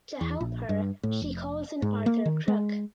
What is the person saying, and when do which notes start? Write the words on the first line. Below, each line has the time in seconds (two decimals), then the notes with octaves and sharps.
To help her she calls in Arthur Crook.
0.21 E2
0.40 A#1
0.69 G2
1.03 A2
1.22 F1
1.82 G#2
2.06 A#3
2.25 D#3
2.48 G#3